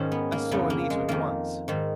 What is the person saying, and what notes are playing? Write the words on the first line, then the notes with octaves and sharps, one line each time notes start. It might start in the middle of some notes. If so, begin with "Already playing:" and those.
I saw Anita at once.
Already playing: G#2 D#3 C#4
B3
A#3
F2 C#3 B3
A#3
G#3
F2 D#3 A#3
G#2 D#3